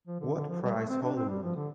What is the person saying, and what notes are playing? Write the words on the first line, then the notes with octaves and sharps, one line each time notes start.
What Price Hollywood?
F3
D3
D3
F3
G3
A3
C4
D4
C4
G3
F3
D3